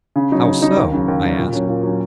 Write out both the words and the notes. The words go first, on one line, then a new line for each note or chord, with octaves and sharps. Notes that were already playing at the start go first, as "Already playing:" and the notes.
"How so?" I asked.
C#3
F#3 D#4
C#3
F#3 D#4
D#2
C#3 F#3
D#2
C#3 F#3
A#2
F#3 C#4
A#2
F#3 C#4